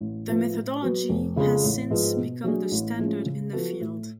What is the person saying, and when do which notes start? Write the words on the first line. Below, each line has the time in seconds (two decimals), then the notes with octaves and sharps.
The methodology has since become the standard in the field.
0.01 A1
0.28 A2 F3 B3 F4
0.54 A2
0.82 F#3 B3 F#4
1.09 F1
1.36 F2 C#3 G#3
1.64 A1
1.91 G#2 F3 G#3 B3
2.17 B2
2.44 F#3 A3 D4 G#4
2.71 A1
2.98 A2 F3 G#3 C#4
3.25 C#3
3.53 F3 B3 F#4 A4
3.80 A2